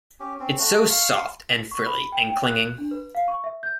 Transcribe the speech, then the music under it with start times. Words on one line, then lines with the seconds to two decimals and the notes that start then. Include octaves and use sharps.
It’s so soft and frilly and clinging.
0.20 C#4 G4
0.40 C4 C#4
0.59 A3 F#4
0.89 F5 C6 C#6
1.71 C#6
1.86 B5
2.12 G5
2.30 G5
2.45 F#6
2.78 D4
2.91 B4
3.15 F5
3.28 C#6
3.44 E5
3.63 G6